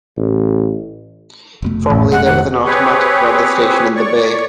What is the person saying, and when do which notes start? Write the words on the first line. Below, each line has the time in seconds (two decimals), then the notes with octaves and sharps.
Formerly there was an automatic weather station in the bay.
0.17 A1
1.62 F1 B2 A3
1.90 A1
2.12 G#3 F#5
2.26 D#3 F#5
2.65 C4 G4 G#4 B4 C#5
3.96 C#5 D5 C#6